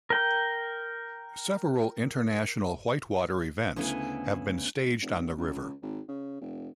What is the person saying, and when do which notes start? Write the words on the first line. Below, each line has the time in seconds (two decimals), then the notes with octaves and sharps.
Several international whitewater events have been staged on the river.
0.10 A#4 G5
3.76 D2 C#3 B3 E4 G#5
5.02 F1
5.37 C#2
5.82 G#1
6.08 C#3
6.41 F1